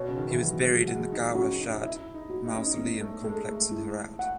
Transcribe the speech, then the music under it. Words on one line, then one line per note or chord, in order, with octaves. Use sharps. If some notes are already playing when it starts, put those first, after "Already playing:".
He was buried in the Gawhar Shad Mausoleum complex in Herat.
Already playing: B2 C#5
C#3
D#3
E3
F#3 F#4
G#3
F#3
G#3 F#5
D#4
C#4 F#4
C#4
D#4
D#4
E4 E5
D#4
F#4
D#4
C#4
D#4
B3 C#4
A3
G#3 A4
A3
E4
F#5